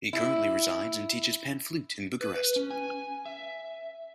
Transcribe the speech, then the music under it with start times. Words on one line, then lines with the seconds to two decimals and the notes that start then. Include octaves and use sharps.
He currently resides and teaches pan flute in Bucharest.
0.13 E4
2.21 B4
2.56 C#4
2.70 G#5
3.25 E5